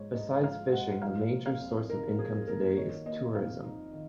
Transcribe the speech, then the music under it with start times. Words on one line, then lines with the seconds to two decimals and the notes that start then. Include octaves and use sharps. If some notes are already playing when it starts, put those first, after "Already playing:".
Besides fishing, the major source of income today is tourism.
Already playing: G#2 F3 G#3 C#5
0.14 G#2 D#5
0.44 F3 F5
0.72 G#3 F#5
1.02 F3 F5
1.31 A#3
1.46 F5
1.60 F2
1.89 D#4 A#4
2.19 F3 G#4
2.47 A#3 A#4
2.76 D#3 C#5
3.06 A#3 D#5
3.35 F2 F5
3.64 D#4
3.93 D#3